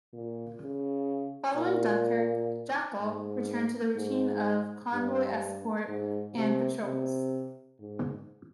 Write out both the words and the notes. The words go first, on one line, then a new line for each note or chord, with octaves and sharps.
Following Dunkirk, "Jackal" returned to the routine of convoy escort and patrols.
A#2
C#3
A#2
G#2
G#2
G2
G#2
C3
C3
G#2